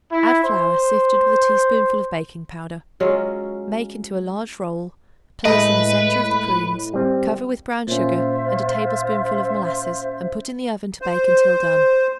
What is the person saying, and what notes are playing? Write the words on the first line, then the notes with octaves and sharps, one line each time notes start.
Add flour sifted with a teaspoonful of baking-powder. Make into a large roll; place in the centre of the prunes; cover with brown sugar and a tablespoonful of molasses and put in the oven to bake until done.
E4
C5
F#3 G#3 C#4 F4
A2 G#3 A3 B4 D#5 B5
G3 C4
A#2 C#4 F4 C5 E5
C5